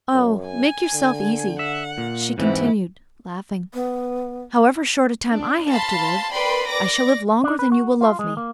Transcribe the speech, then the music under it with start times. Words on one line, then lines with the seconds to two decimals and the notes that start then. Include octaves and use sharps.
"Oh, make yourself easy," she continued, laughing; "however short a time I have to live, I shall live longer than you will love me!"
0.13 F#2
0.46 G#5
0.94 D3
1.59 E5 F#5
1.98 A#2
2.38 G#2 E3 C4 E4
3.74 B3
5.32 D4
5.69 F5 A5 B5 C6
6.31 A#4 B4 D5 G5 B5 C6
6.69 D5 D6 A#6
7.43 D4
7.59 B4
7.72 F#4
8.01 F4
8.19 G#3
8.37 A#3